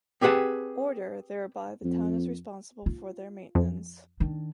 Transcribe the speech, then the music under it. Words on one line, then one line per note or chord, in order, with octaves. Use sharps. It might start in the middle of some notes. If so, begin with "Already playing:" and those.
Order, thereby the town is responsible for their maintenance.
C4 G4 G#4 B4 F#5 A5
F2
F4
F2
D#3 D4